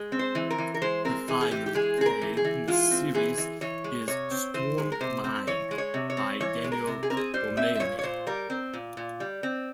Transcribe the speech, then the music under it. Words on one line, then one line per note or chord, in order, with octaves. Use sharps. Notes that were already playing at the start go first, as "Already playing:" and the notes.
The final play in the series is "Storm Mine" by Daniel O'Mahony.
Already playing: G#3
C4
C5
E3
A#4
E3
A#4
G#3 C5
C4 A#4
E3 G#4
G#4
E3 G4
G4
G#3 G#4
C4 G#4
A#4
E3
G#4
E3
G#3 F4
C4
E3 G#4
E3
E3 C#5
G#3
C3 C#5
C4
E3 C5
G#3
A#4
C3 C5
C4
E3 C#5
G#3
C#5
C3
C#5
C4
E3 C#5
G#3
A#4
C3
G#4
C4 A#4
G#4
G3 C5
C4 E5
E5
A#2 C#5
C#5
A#2 C5
G3 A#4
C4
A#2
A#2
G3
C4